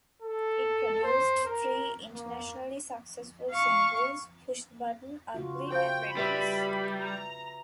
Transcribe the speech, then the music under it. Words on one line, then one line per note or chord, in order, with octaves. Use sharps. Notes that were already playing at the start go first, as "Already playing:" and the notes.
It produced three internationally successful singles, "Push the Button", "Ugly" and "Red Dress".
A4
C5
A#4
A#3
F5 C#6
C#3 F4 F#4
C5 F5 G5
G3 B4 E5 B5
A#5